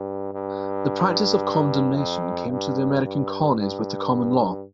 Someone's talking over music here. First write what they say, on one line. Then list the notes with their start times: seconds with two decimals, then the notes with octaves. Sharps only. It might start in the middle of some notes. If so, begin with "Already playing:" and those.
The practice of condemnation came to the American colonies with the common law.
Already playing: G2
0.33 G2
1.96 F2
2.51 G2
3.05 G2
3.58 G2